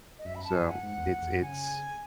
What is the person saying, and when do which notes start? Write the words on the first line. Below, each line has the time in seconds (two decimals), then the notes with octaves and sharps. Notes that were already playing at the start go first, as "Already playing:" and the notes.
So, it's it's
0.19 D#5
0.25 F#2 E5
0.35 B5
0.44 A5
0.54 F#2 G#5
0.64 E5
0.69 F#5
0.83 G#2
0.98 E2
1.22 E2
1.32 F#2
1.41 C#3 G#5